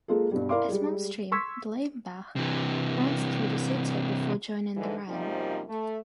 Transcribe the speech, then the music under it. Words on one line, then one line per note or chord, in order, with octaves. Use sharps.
A small stream, the Leimbach, runs through the city before joining the Rhine.
G#3 A#3 F4 G#4 A4
G2 B2 G3
E4 A#4 D5 F5 C6 D6
G3 G#3
C6 C#6 E6 G#6 B6
C3 E3
G#2 D3 E3
F#2 C3 F3 G3 A#3 D#4
A3